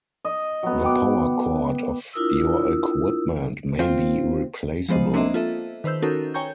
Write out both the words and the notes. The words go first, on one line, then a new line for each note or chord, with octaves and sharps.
The power cord of your equipment may be replaceable.
D#5
F#3 B3
F#5 G5 D6
D4 E4 F4 A#4 D#6 E6
C4 F4
F3 G#3 B3 C5 D#5
A#3 C4 D4 C5 D#5 E5
F4 A4 E5
D#3 B4 C5 E6 G6
C#4 D#4 F#4 A4 A#4
C#5 G5 G#5 A#5 C#6 G6